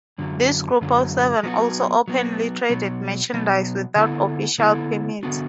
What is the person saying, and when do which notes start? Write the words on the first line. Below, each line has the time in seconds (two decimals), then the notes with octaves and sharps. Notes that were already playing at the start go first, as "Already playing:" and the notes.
This group of seven also openly traded merchandise without official permits.
0.18 F#2 D3 F#3
0.81 F#2 D3 F#3
1.43 F#3 B3 F#4
2.08 F#3 B3 F#4
2.69 B2 F#3 B3
3.34 B2 F#3 B3
3.95 D3 B3 E4 A4
4.58 D3 B3 E4 A4
5.23 D3 B3 D4 F#4